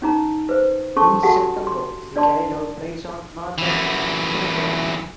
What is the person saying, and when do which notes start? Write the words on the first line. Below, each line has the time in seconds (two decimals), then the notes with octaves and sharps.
In September she carried out raids on Northern Sumatra.
0.02 C#4 D#4 A#5
0.49 B4 C5
0.96 C#4 A4 A5 C6 C#6
1.22 F#4 G4 A4 F#5 G#5 A5
1.67 C6
2.16 D4 D5 A5 C6
3.58 F#2 E3